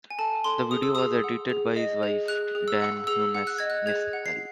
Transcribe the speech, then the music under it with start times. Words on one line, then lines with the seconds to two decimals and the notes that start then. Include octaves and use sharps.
The video was edited by his wife, Dyan Humes-Nispel.
0.11 G#5
0.19 A4 A5
0.44 A4 C6
0.71 G#4 D#6
0.83 E6
0.95 G#4 D#6
1.24 F#5
1.50 G#4
1.76 D#5
2.03 G#4
2.28 G#4 F#6
2.55 G#4
2.68 E6
2.82 F#5
3.07 G#4 E6
3.34 F#5
3.47 F#6
3.58 D#5 G#6
3.70 F#6
3.86 G#4 G#6
4.13 F#5
4.26 C7